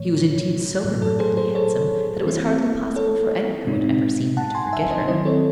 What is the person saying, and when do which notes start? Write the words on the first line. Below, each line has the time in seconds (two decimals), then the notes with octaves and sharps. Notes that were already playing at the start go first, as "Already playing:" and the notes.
She was indeed so remarkably handsome, that it was hardly possible for any who had ever seen her to forget her.
Already playing: A2 E3 A3 C#5
0.85 A2 F#3 A3
1.02 A4
1.19 G#4 C5
1.37 G#4 C5
1.55 A4 C#5
2.25 E3 C4 E4
2.96 A4 C#5
3.67 A2 G#3 C4 D#4
4.37 F#5 A5
4.55 G#5 C6
4.73 E5 G#5
4.90 C5 D#5
5.08 D#3 F#3 C4 E4 C5 D#5
5.25 A4 C#5